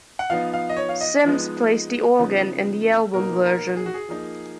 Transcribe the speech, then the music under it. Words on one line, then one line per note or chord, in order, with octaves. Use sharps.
Sims plays the organ in the album version.
F#5
F3 B3 D#4 F5
F5
D#5
C#5
F5
D#5
F3 G#3 B3 D#4
C#3 F3 B3 D#4
B2 A#3 D#4 A#4
A#4
G#4
F#4
G#4
F3 A#3 D#4